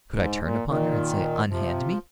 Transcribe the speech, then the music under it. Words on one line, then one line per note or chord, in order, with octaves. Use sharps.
Could I turn upon her and say "Unhand me"?
G#2
A#2
A#2 D#3
C3 F3